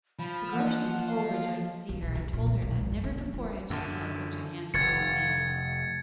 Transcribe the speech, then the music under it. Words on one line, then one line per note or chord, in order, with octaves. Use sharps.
The Groac'h seemed overjoyed to see her, and told her that never before had she beheld such a handsome young man.
F3 B5
E3 A#3 D#5 F#5
F5
C2
B1
E2
A#2
F1
B1
G#1
F#2
D3
A#3
F4
F#2 D3
F1 G#6 A6 C#7